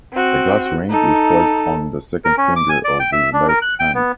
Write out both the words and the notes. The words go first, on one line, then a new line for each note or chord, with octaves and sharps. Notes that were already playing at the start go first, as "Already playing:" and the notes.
A glass ring is placed on the second finger of his left hand.
C4 F#4
D#4 A4
A#4
C#4
D6
G#5
D5
G5
E5
D4
A#4
F#6
G5
B3